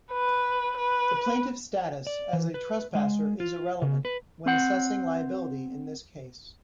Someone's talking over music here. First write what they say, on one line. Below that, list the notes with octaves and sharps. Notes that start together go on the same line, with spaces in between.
The plaintiff's status as a trespasser is irrelevant when assessing liability in this case.
B4
B4
D5
E3
B4
G#3
F4
C#3
B4
C4 F#5